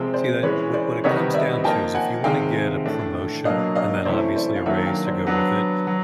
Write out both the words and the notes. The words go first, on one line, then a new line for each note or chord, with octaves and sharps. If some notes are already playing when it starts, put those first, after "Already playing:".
See, eh, what what it comes down to is if you wanna get a promotion and then obviously a raise to go with it,
Already playing: C3 F3 G#3 C4 G5
C5 D5
E3 G#3 C#4 B4 C#5
C5 D5
C3 D#3 G3 B3 D#4 C#5 D#5
D5 E5
F3 A#3 D#4 G5 A5
F#5 G#5
C3 D#3 G#3 F5 G5
A2 E3 A3 D4
B2 F#3 A#3 D4 D#5 F5
D#5 F5
C3 E3 A3 C#4 E4 C5 D5
C5 D5
F5
D#3 F#3 A#3 D4 E5 F#5
F5 G5
C5 D5
F#3 B3 D4
F#3